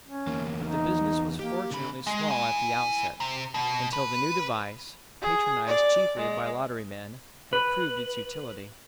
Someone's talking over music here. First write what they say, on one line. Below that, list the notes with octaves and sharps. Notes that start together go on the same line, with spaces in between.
But the business was fortunately small at the outset, until the new device, patronized chiefly by lottery-men, had proved its utility.
C#4
E2 A#3
D#4
A#3 G4
D3 B5
G#3
E4 G#5
C3
B2
B4
G#4
D5
G#3
B4